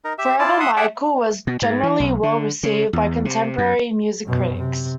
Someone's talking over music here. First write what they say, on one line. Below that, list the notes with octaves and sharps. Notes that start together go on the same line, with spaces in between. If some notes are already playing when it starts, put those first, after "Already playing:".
"Forever, Michael" was generally well received by contemporary music critics.
D#4 A#4
G4 E5
E4 F4 D5 A5
E5 F#5 C6 D#6
G#4 A4 D5 E5 F#5 G5
B2
G#2
E3
B1
D3
C#3
E2
C3
F#2
F#2 B2
C3